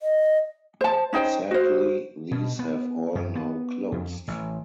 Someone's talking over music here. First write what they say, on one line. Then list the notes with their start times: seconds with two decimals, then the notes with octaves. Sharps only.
Sadly these have all now closed.
0.02 D#5
0.81 C5 A5
1.13 C#4 D#4 C5 G5
1.51 F#4 C5
2.31 B2
2.59 B3
3.15 F#2
3.35 B3
3.92 F2
4.28 A1